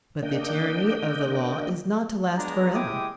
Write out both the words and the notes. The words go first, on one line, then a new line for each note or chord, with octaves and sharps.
But the tyranny of the Law is not to last forever.
A#3 D4 D#5 G5
G#3 B3 D4 A#5
G#3 E4 G4 G5 D6 D#6